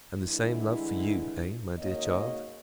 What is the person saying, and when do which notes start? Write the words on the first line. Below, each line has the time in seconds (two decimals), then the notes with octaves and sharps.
"And the same love for you--eh, my dear child?"
0.19 G2 D3 E3 G#3 E4
1.79 G#2 C#3 A#3 F#4 C#5 D#5